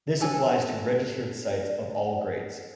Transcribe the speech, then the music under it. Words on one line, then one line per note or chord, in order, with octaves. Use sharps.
This applies to registered sites of all grades.
D4 A4 G#5